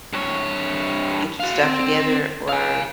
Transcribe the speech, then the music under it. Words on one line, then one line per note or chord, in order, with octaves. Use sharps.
"Get your stuff together or
G2 C#5
F#4 F5
C4
F5 G#5